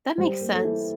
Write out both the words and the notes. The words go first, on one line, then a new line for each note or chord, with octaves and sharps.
That makes sense.
G3 C5
A#3
A4
E3